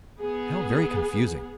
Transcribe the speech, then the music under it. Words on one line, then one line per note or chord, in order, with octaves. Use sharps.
How very confusing!
B3 G#4